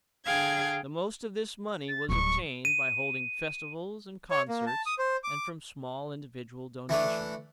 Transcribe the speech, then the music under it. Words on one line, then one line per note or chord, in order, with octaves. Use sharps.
The most of this money was obtained by holding festivals and concerts, and from small individual donations.
D3 G#4 F5 G5 G#6
A6
D1 G3 C#6
D#7
C#5
A#3
A5
D#6
C5
D6
E3 A3 D4